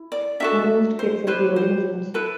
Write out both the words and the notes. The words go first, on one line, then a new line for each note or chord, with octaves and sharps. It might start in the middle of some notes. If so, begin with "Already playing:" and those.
Most kits include engines.
Already playing: E4
D5
D4 F#4 A4 E5
C5
E4 G4 B4 C5
C5
E4 A4 B4